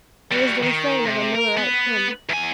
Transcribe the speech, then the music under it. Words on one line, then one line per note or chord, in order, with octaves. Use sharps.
It was the refrain of a Millerite hymn.
G3 F#4
D#3
C3
A#4
B3
E2 G#5